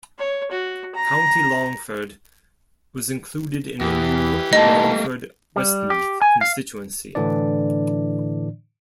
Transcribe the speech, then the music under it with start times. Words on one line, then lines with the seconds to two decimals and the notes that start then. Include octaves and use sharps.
County Longford was included in a new Longford-Westmeath constituency.
0.18 C#5
0.52 F#4
0.95 A#5
3.81 E2 E3 G4
4.53 A3 A#3 D#4 A#4 D#5 A5
5.56 G3
5.90 G4
6.22 G#5
6.41 F5
7.15 A2 D3 E3 D4 D5